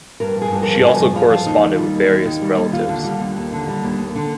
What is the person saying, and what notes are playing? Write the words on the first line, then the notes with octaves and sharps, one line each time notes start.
She also corresponded with various relatives.
G2 A#4
F3
G#4
G2
A#4
F3
G2 G#4
F3
G2 F4
F3
D#2 D#4
D#3
G3
D#2
D#2
D#3
G3
D#2
D#2 F4
D3
G3
D#2
D#2
D3
G3
D#2
D#2
D3